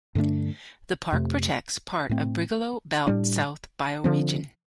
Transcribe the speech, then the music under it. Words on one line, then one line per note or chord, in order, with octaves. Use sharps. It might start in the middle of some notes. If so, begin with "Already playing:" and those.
The park protects part of Brigalow Belt South bioregion.
G2 D3 A3 D4
F2 C3 A3
A2 A3 C4
A2 G3 D4
D3 F3 C4